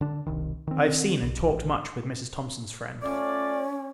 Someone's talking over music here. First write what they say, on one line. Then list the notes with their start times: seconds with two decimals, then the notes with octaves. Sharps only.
I have seen, and talked much with, Mrs. Thomson's friend.
0.01 D3 D4
0.26 E1 C2 D#3
0.67 D#3 C4
1.23 B1
1.48 A1
3.02 A3 C#4 F4 D5